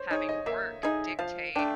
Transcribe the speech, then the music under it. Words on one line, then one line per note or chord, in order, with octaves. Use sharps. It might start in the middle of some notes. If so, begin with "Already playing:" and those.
having work dictate
Already playing: C5 C#5
D#4 G#4 C#5
D#5
A#3 E5
D#4 G#4
F3 F5
A3 D4 G5